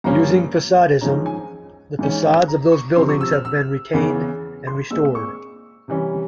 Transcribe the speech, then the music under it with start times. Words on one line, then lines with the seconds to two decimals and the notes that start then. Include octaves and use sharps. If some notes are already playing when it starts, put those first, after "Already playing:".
Using facadism, the facades of those buildings have been retained and restored.
0.04 G2 F3 A#3 C#4 A#5
1.01 G#2 F3 G#3 C#4 A#5
1.26 G#5
1.99 G#2 E3 G#3 C#4
2.48 A#5
2.72 C#6
2.96 C3 F3 C4 C6
3.09 C#6
3.21 E6
3.32 F6
3.45 E6
3.93 E2 C#3 E3
4.67 C6
4.91 A#2 G#3 C4 E6
5.15 C#6
5.88 C3 E3 G3 C#4